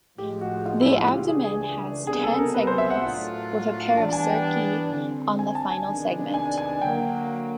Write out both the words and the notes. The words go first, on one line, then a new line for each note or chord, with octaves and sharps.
The abdomen has ten segments, with a pair of cerci on the final segment.
A2 F3 G#3 G4
F#4
F4
E4
F4
C#2 C#3 E3 A3 D4 G4
G#4
G#4
C#2 C3 D#3 G3 B3 G#4
A4
A#4
B4
C5
E5
F#5
A2 F#3 A3 D4 F4
G2 E3 G3 B3 D4 A5
A5
G#5
G5
D3 G3 C4
G#5
A5
G#5
C3 D#3 G#3 B3 D4
G#5
G#5
D3 F#3 A#3 G5